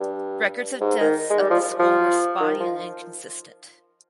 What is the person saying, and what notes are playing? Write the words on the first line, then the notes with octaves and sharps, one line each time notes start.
Records of deaths at the school were spotty and inconsistent.
G2
G#2
D#3
G#3
G3
F3
F3
D#3
F3